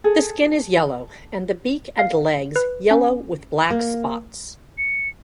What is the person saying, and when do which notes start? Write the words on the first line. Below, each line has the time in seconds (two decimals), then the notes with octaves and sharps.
The skin is yellow, and the beak and legs yellow with black spots.
0.04 G#4 A4
1.99 F5
2.56 B4
2.91 C#4
3.70 A#3
4.78 C#7